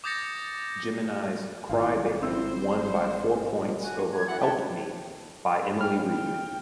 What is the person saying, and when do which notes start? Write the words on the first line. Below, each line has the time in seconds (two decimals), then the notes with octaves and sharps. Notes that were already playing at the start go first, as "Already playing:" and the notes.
Jemini's "Cry Baby" won by four points over "Help Me" by Emily Reed.
0.04 D6 D#6 G6 A6 A#6 C#7
1.69 G#1 E4 F4
2.22 C4 E4 C5 E6
3.78 F#4 G#5
4.13 C#5 G#6
4.28 E4 F#4 F#5
4.39 E5 G5 A5
5.81 G5 F6